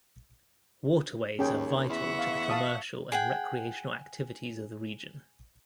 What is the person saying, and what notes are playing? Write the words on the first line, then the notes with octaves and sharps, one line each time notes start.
Waterways are vital to the commercial and recreational activities of the region.
D#2 C#4 G#4 G5
E2 E5 F#5 C#6
F5
F5 A5 D#6
G#4 F#5 G5